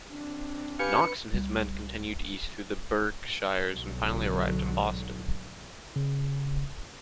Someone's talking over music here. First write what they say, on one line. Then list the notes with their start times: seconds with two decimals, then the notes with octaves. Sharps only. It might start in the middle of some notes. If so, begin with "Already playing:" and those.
Knox and his men continued east through the Berkshires and finally arrived in Boston.
0.10 C4 D4
0.79 G4 B4 F5 G#5 C#7
1.32 C2 G3
3.69 B1 G#2 D3 F#3
5.96 C#3